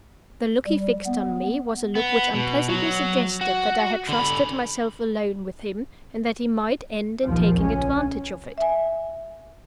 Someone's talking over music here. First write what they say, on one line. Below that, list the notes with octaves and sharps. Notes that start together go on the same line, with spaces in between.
The look he fixed on me was a look which unpleasantly suggested that I had trusted myself alone with him, and that he might end in taking advantage of it.
G3
B3
B3
B2
F#3
F#4
D3 B5
A#1 D#2 F3
C#2 C#4
E5 G#5